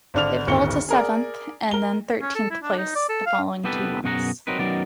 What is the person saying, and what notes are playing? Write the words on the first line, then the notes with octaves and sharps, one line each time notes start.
It fell to seventh and then thirteenth place the following two months.
G#1 D3 D4 F6 F7
D1 G1 D#3 C#6 C#7 G7
G#4 A#4 D5
A#4 G7
C#4
A4
E4
D4
D#4
D5
A4
F5
C2 B3 G4 A4 B4
F#2 B2 F#4 G#4 F#5 A#5
F#3 C4 D#4 A#4 B4
F#2 D#3 F#3 B3 A#4 D5